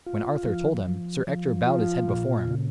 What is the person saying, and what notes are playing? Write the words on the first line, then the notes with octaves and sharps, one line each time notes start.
When Arthur told him, Sir Ector bowed his head before him.
F4
F3
F3
F3
F4
A#2
C#3